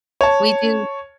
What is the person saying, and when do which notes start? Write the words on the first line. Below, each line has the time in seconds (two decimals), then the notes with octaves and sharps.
We do
0.21 C#5 A5